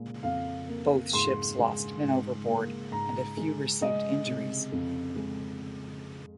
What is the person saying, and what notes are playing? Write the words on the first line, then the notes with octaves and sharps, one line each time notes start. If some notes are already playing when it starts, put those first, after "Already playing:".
Both ships lost men overboard, and a few received injuries.
Already playing: A#2 G#3
F2 F5
A#3
G#2 C6
G#3
G#2
A#3
G#2 A#5
G#3
G#3 D#5
C3
F2
G#3